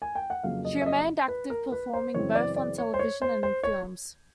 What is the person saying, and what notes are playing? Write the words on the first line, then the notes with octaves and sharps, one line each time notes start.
She remained active performing both on television and in films.
G#5
G5
F#5
F2 C#3 F#3 A#3 F5
D#5
E5
D#5
B4
A#4
B4
C5
F#2 C#3 E3 G#3 C4 C#5
D5
D5
C#5
C5
C#5
C5
C5
C#5